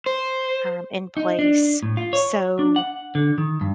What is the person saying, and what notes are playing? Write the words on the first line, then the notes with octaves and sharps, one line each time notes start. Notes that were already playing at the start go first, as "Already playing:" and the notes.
um, in place. So,
C5
D#4
D4
A2
F4
C#5
D4
F#5
D3
D#3
G2